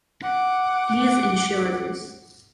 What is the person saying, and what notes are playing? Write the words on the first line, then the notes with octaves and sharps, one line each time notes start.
Please insure this.
F#5 D6